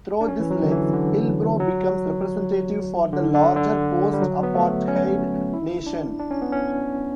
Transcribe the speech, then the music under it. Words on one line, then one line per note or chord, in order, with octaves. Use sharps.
Through this lens, Hillbrow becomes representative for the larger post-apartheid nation.
D4
C#4
E3
F#3
D3
E3
D3
F#3
D3
D3
D3
G3
F#3
B3
A3
C#4
E4
D4
D4
C#4
B3
C#4